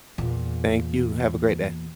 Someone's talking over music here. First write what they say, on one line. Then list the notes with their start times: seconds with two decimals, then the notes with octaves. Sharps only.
Thank you, have a great day.
0.18 E2 A#2